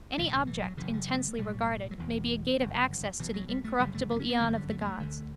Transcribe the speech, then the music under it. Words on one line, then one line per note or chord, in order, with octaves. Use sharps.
Any object, intensely regarded, may be a gate of access to the incorruptible eon of the gods.
B1 A2 E3
D3
E3
F#3
F#1 F#2 C#3 E3
D3
E3
A3
B3
A3
B1 A2 G3
F#3
E1 E2 B2 E3
G1 F#2 C#3
B1 B2 E3
F#3
G3
A3
G1 F#2 C#3 G3
A3
A3
B3
C#4
B3
G1 F#2 D3 A3
G3
A3
B3
A3
D2 D3